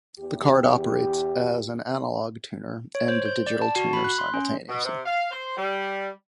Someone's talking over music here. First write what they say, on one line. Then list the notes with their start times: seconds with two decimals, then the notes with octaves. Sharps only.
The card operates as an analog tuner and a digital tuner simultaneously.
0.20 E2 G4
2.95 C#5
3.08 C5
3.26 G6
3.47 D5
3.62 A5
3.76 F#4
3.93 B5
4.04 F#6
4.18 C6
4.34 C#4
4.69 B2
4.85 C3
5.06 F5
5.31 C5
5.57 G3